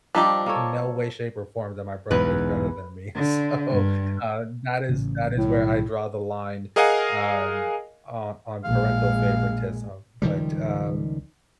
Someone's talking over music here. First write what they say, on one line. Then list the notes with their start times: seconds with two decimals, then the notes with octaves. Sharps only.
a no way, shape or form that my brother is better than me. So, uh, that is that is where I draw the line, um, o on parental favoritism. But, um
0.15 F3 G3 D4 D#4 G4 E5
0.46 A#3 A4 C#5
2.11 B1 E2 G#2 B4
3.16 D3
3.71 G2
4.89 A1 C#3
5.35 B1 A2 D#3 G3
6.76 G#4 A#4 D#5 F5 F#5 G#5
8.65 A#1 G#3 F5
10.22 C#2 D#3 F3 G3